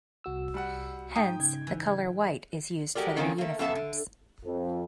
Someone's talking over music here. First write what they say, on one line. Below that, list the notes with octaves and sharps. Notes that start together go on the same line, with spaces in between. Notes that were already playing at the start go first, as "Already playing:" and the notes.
Hence, the color white is used for their uniforms.
C2 F#4 E6
G3 F#5
G#2 G5 D#6
C#3 G#6
E3
G#3 F#4 G4 A#4 D5
D3 D#3 F3 A#3 C4 C#4
A3 A#3
F#2 B3 A4 E5 F5 A5
D3
F2